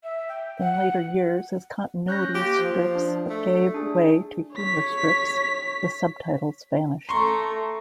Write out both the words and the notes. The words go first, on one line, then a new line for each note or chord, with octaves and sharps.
In later years, as continuity strips gave way to humor strips, the subtitles vanished.
E5
G5
F#5
C#4 F#6 G6 A#6
A#3 G4
F3
D4
A3
D4 G#4
C#5 B6
A3 A#5 C6 C#6